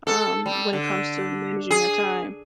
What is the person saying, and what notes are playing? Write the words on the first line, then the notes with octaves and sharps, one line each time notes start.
Um, when it comes to managing your time.
A4
G3
D3
G#4